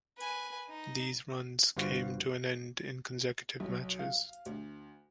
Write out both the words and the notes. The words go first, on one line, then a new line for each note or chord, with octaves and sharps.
These runs came to an end in consecutive matches.
B4 G#5
D#4
G1 G2 F4 F#4 C5
B1
F5
D2